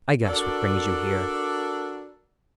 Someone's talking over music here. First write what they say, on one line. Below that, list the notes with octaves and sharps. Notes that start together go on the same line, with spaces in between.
'I guess what brings you here.'
D4 F#4 A4 A#4 D5